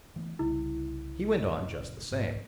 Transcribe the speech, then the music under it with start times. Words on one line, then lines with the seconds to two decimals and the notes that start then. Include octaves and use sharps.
He went on just the same.
0.16 E3 A3 B3
0.39 C2 C#3 G3 E4
1.57 F1 A2 C#4
2.11 A1 G#2